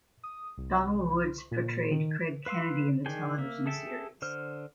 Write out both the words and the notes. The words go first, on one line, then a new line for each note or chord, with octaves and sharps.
Donald Woods portrayed Craig Kennedy in the television series.
D#6
C2
A#2
D#3
B4 F5 C6 E6
D#3 D4 G#4 G5 G#5
A#3 E5
G#4 A4 E5 G5 A5
D3 C5 F6